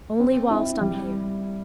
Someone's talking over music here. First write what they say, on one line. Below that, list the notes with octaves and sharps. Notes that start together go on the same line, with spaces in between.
'Only whilst I'm here.'
C4
E4
G3